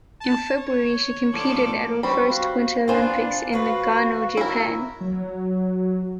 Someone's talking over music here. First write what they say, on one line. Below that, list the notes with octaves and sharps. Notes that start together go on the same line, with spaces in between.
In February, she competed at her first Winter Olympics in Nagano, Japan.
A5
C#5
A2 F3 C#4 A4 D5 D6
G3 C4 B5 C#6
F#4 F5
B3 C4 D4 F4 C5 D5 G#5
F3 F4 F#4 B4
E4 A#4 E5
F#3